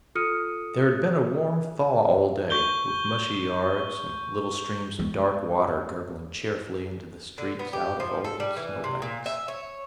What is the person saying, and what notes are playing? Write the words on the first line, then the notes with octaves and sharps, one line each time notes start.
There had been a warm thaw all day, with mushy yards and little streams of dark water gurgling cheerfully into the streets out of old snow-banks.
F4 A4 D#6 F6 C#7 D#7
C#6 G6 G7
G#3 B3
D3
B3
G4
F3
A4
G3
E3
C3
A#2
E5
C#5